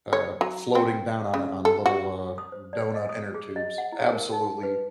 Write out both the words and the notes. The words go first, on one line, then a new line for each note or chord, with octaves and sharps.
uh, floating down on it, on little, uh, doughnut inner tubes, absolutely
C#5
F#3
C4
C#3
A4
F#4
D#6
C5
D5
D#5
D#6
G#4
D#5
F#5
E4
A#4
D#4
B4